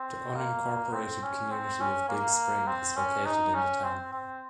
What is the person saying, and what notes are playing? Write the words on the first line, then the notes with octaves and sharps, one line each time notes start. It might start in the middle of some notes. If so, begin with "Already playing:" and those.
The unincorporated community of Big Spring is located in the town.
Already playing: C4
A#3
C4
C#4
C4
C#4
A#3
C4
C#4
D#4
C#4
C4
C4